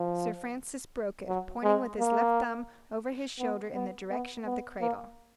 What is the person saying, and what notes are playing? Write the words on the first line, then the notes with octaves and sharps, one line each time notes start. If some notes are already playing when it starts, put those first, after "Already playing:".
Sir Francis broke it, pointing with his left thumb over his shoulder in the direction of the cradle.
Already playing: F3
F#3
G#3
A#3
B3
B3
B3
B3
A#3